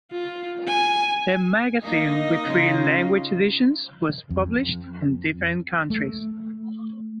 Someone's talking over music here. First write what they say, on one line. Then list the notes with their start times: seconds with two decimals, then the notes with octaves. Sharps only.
The magazine with three language editions was published in different countries.
0.11 F4
0.67 G#5
1.83 A#3 D#4 D#5
2.46 C#3 F4
4.30 F2
5.90 A3